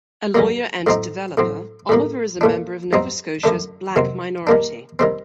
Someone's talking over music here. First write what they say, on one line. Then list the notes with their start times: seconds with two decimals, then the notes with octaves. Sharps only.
A lawyer and developer, Oliver is a member of Nova Scotia's Black minority.
0.35 G2 D3 F#3 A#3
0.87 A2 F#3 C4 D#4
1.37 A2 F#3 C4
1.89 A2 G3 A#3
2.41 A#2 A3 D4
2.93 G2 F#3 C4 D#4
3.44 F#2 D3 A3 D4
3.96 C3 D#3 F#3 C4
4.47 D#3 G3 A#3 D4
4.99 D#3 G3 C4